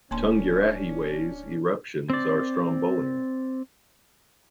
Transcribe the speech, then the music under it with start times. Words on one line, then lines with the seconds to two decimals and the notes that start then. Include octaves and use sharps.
Tungurahua's eruptions are strombolian.
0.11 D1 A#3 C#4 D4 A5 C6
2.10 C4 D5